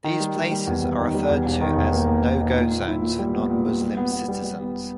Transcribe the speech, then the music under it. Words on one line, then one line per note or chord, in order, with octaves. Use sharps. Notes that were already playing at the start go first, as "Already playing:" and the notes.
These places are referred to as "No-go Zones" for non-Muslim citizens.
D#3
G3
G3
G3
E2
E2
D#3
G3
E2
E1
D#3
E1
A#3
A#3
A#3
D#3
A#2
A#2
E4
A#2
G3
B3
A#2
G3
G3
B3
B3
G3
G3
B3